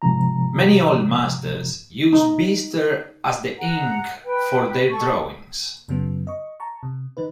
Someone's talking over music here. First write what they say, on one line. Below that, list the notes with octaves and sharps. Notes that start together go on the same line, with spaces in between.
Many Old Masters used bistre as the ink for their drawings.
G#2 C3 F3 A#5
D#4
F#5 A#5
B4 G5
A4 C#6
F#2 C#3 F#3 B3
D#5 C#6
A5 A#5 C#6
C3
D#3 D#4 B4